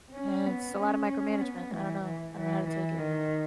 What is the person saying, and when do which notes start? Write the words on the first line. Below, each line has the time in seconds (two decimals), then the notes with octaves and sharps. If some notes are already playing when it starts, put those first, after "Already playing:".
eh it's a lot of micromanagement, I don't know. I don't know how to take it.
0.14 C#4
0.46 B3
0.78 C#4
1.41 B3
1.73 E3
2.04 E3
2.36 E3
2.67 E3
2.99 D#3